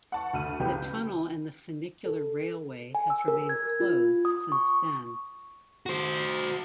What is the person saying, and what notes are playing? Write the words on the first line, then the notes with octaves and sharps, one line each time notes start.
The tunnel and the funicular railway has remained closed since then.
F#5 A5 C#6
D2 F6 D#7
C#2 C#3 E3 G4
A4
G#5
E6
A#4
G#6
F4
D#6
C#6
F#4 C5